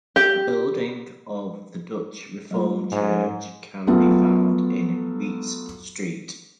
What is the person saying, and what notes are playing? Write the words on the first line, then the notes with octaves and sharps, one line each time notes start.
The building of the Dutch Reformed Church can be found in Reitz Street.
G4
F#3 A3 F4
G#2
F#3 A3 B3 F4 A4